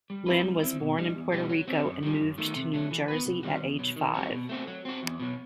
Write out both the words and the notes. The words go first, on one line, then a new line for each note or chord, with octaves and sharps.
Lynn was born in Puerto Rico and moved to New Jersey at age five.
G3
C4 E4 B4
G3
C4 E4
B2
G3 D#4
E2
B2 G3 D#4 G4
F#3
C4 F#4
F#2
D#3 G3
F#2
D#3 A3
C3
F#3 A3
E3
B3 F#4 B4
C3
D#3 G3 C4 F#4
E2
B2 F#3
D#3
G3 C4 F#4
B2
A3 C4 F#4
F#3
C4 F#4
E2
B2 F#3